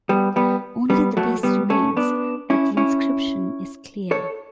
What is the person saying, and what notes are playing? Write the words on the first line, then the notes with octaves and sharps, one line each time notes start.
Only the base remains but the inscription is clear.
G3 B3
G3 B3
G3 B3
F#3 A3
G3 B3
A3 C#4
B3 D4
C#4 E4
C#4 E4
A4 C#5